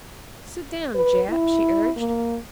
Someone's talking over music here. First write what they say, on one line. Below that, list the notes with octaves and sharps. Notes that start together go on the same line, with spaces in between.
"Sit down, Jap," she urged.
B4
E4
A#3